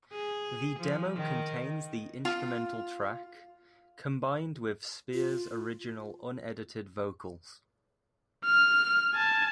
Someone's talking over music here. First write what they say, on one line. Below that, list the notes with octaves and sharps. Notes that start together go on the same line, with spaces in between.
The demo contains the instrumental track, combined with Spears' original unedited vocals.
G#4
F3
D#3
F4
F4
F6
G#5 A5